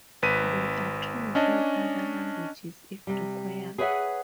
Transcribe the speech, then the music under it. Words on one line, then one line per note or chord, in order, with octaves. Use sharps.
They are trained in other languages if required.
G#1 B4 B6 D#7
C#4 D4 D#5 A5
C3 G3
G#4 B4 C#5 D#5 E5 F#5